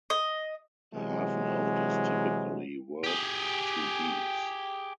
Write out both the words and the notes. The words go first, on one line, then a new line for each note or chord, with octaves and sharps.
A half note is typically worth two beats.
D#5
C3 E3 F#3 G#3
G4 G#4